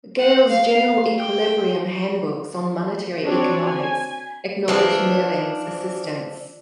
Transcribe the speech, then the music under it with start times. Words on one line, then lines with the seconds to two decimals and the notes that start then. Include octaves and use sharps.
Gale's general equilibrium handbooks on monetary economics acknowledge Merhling's assistance.
0.19 F#5
0.48 F5
1.19 G5
3.24 C4 D4 F#4 C#5 D5
3.66 G#5
4.68 E3 F3 D4